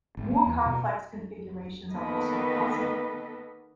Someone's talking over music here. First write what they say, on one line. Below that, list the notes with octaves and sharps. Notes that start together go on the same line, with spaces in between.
More complex configurations are also possible.
G#1
A#3
E2
B2
D#3 A#3 B3 A4 B4 D#5